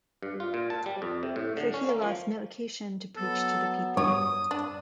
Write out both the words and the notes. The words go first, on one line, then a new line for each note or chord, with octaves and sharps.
For he lost no occasion to preach to the people.
G2
F4
A#2
A5
G3
F2
C3
A2
D3
C#4
A#3
F3
F#3 B3 A4
G2 C#5 D#6
D4